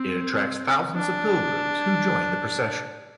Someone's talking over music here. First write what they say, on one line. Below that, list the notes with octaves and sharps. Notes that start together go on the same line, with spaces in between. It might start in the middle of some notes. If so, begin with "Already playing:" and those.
It attracts thousands of pilgrims who join the procession.
Already playing: C4
D4